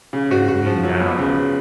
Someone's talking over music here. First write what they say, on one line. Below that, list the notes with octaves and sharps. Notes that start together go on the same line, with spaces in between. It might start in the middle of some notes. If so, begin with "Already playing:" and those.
And me now.
C#3
F#4
F#4
F3
F#3
B3
C#3